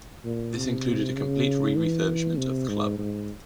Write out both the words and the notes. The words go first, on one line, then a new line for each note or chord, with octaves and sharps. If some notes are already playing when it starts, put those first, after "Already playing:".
This included a complete re-refurbishment of the club.
A#2
C3
C#3
E3
C3
G#2
G#2